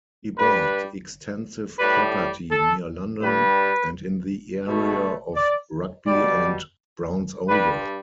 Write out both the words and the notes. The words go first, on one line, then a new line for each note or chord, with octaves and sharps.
He bought extensive property near London and in the area of Rugby and Brownsover.
G2 G3 B4
A2 G3 B4
A4
G2 G3 B4
B2 A3
D5
B2 G3 D5
G2 G3 B4